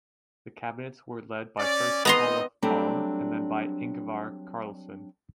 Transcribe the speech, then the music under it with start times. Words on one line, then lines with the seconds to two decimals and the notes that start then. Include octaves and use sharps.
The cabinets were led by first Olof Palme and then by Ingvar Carlsson.
1.60 C#4 D5
2.05 B3 C4 D#4 D#5 A#5 C6
2.62 F#3 G3 A3 C4 D4